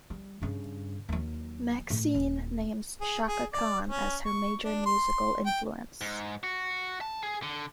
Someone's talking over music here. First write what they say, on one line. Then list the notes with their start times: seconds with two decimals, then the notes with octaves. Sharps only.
Maxine names Chaka Khan as her major musical influence.
0.10 G3
0.42 G2 C#3
1.09 D#2 F#3
1.90 A2
2.14 D#1
3.01 G#4
3.27 G#4
3.54 D5
3.87 C#4
4.26 C#6
4.65 D4
4.86 C6
5.46 G5
6.01 G#2
6.43 F#4
7.01 A5
7.23 G#4
7.43 D3